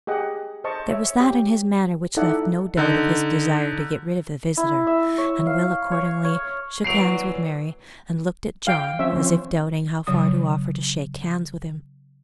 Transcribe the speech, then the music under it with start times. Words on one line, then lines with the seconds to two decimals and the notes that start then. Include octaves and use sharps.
There was that in his manner which left no doubt of his desire to get rid of the visitor, and Will accordingly shook hands with Mary, and looked at John, as if doubting how far to offer to shake hands with him.
0.07 G4 G#4 D#5 F#5
0.64 C5 D#5 A5 C#6
0.91 C#5 E5
1.20 G4
2.17 D#4 E4 A4 D5 E5 F#5
2.77 D3 D#4
4.57 E4
4.87 E5
5.18 C#5
5.47 F5
5.92 C#5
6.25 C#5
6.84 E3 F#3 A#3 D5 C7 D7 F7
8.67 F5 G5
8.99 F3 C4 C#4 E5
10.07 C#3 F#3 D#6